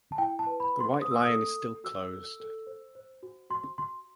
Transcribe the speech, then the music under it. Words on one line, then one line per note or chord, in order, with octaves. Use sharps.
The White Lion is still closed.
A5
E4 G5
A5
B4
B5
B4
C6
C5 D#6
E6
D#6
A4
A4
F#4 E6
A4
A4
C5
C5
F#4
F#4 C6
F#4 C6